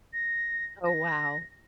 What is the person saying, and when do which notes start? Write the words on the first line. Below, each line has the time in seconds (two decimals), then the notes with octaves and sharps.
Oh, wow.
0.13 A#6
0.85 A#6